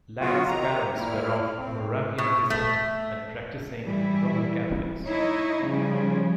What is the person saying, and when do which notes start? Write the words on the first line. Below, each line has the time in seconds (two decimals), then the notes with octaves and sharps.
Lang's parents were of Moravian descent and practicing Roman Catholics.
0.20 F#3 B3 F4 F#4
0.48 C3 D#3 A#5
0.96 A#2 A#3 E4 F6
1.58 C4
2.18 A2
2.50 A3
3.84 E3 G3 E4
5.05 D#4 E4 C#5
5.66 C#3 F3 G3